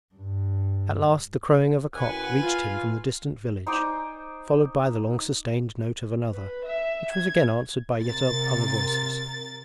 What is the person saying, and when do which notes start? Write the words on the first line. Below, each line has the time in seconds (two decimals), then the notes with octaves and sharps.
At last the crowing of a cock reached him from the distant village, followed by the long-sustained note of another, which was again answered by yet other voices.
0.14 G2
1.95 F#2 A2 B4 F#5 G#5
2.42 F4
3.67 D#4 C5 G#5 D6
6.33 B4
6.65 E5
7.12 G#6
8.01 C3 A#4 A6